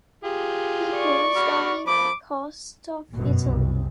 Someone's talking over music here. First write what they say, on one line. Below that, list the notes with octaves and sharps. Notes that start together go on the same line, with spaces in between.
He cruised on the coast of Italy.
F4 G4 G#4
D5 C#6
F#4 B5 F6
F3 B5 D6
G1 F#2 B2
C2